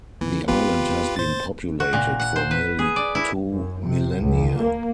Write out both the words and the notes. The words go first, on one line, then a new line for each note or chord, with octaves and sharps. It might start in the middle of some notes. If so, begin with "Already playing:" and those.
The island has been populated for nearly two millennia.
C#3 E3 B3
B3 C4 F4 G4 B4
A2 C5 A6
F#4
A#2
F#5
C5
B4
G#4
D5
E4
F#2
C3
C#2
A#3